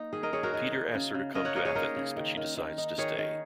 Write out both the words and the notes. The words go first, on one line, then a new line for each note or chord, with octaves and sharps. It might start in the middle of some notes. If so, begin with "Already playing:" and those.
Peter asks her to come to Athens but she decides to stay.
Already playing: A#3 D#4
D#3 G#4
A#4 D#5
D#3 G#4 C#5
F#4 A#4
D#4 G#4
D#4
C#3
C#3
C#3 A#4 D#5
C#5 F#5
A#3 A#4 D#5
G#4 C#5
D#4 A#4 D#5
C#3
D#3
D#3
D#3
D#4
D#3 G#4 C#5
D#3